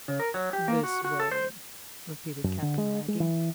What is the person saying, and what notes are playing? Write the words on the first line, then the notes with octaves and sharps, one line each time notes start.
"This way," repeated Captain Wragge.
C#3
A#4
F#3
G4
A#3
F#4
F#4
A4
C5
F#2
D3
G#3
G#3
E3